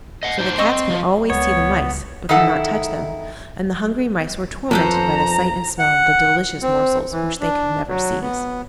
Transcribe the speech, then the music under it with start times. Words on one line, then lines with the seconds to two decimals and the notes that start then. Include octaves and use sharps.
So the cats could always see the mice, but could not touch them, and the hungry mice were tormented by the sight and smell of the delicious morsels which they could never seize.
0.23 D#5 F#5
0.39 D4 D#4 C5
0.58 C4 D#5 C#6 E6
0.90 F3
1.30 C#2 B3 C#5
2.29 D#3 D#4 E4 A4 F#5
4.71 F2 A4 B4 C5 A#5
5.79 F#5
6.62 C4
7.12 E3
7.41 D4
7.88 F#3
8.21 B3